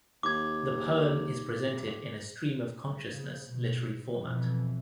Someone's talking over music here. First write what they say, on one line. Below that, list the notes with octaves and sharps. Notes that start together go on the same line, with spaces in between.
The poem is presented in a stream of consciousness literary format.
D#2 D6 G#6
C#3
B2
F2 B2 E3